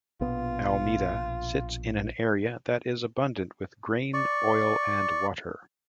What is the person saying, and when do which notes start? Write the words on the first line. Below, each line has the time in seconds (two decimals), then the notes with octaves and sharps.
Alameda sits in an area that is abundant with grain, oil and water.
0.21 A#1 B2 B3 F4
4.14 D5 C#6